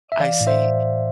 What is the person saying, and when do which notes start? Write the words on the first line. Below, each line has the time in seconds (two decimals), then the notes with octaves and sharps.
I see.
0.12 E5
0.20 E3 D5 F5
0.41 A2
0.47 C5 E5